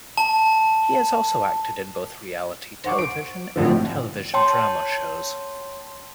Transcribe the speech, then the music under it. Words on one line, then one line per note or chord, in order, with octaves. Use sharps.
He has also acted in both reality television and television drama shows.
A5
C5 F#5 C#6 D6
D7
G#1 A2 D3 F3
C#5 G5 A5 C6